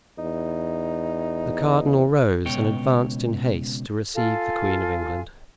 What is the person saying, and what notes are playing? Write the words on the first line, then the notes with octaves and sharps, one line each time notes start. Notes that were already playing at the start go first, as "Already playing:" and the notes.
The cardinal rose, and advanced in haste to receive the queen of England.
E2 D#4
C#2 B2 C#5 G5
F4 A4 F5 G#5